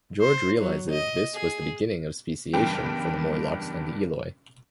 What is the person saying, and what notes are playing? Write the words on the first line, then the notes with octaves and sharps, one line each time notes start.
George realises this was the beginning of speciation for the Morlocks and the Eloi.
C5
F#3
D#5
G#4
F#1 E2 G2 G5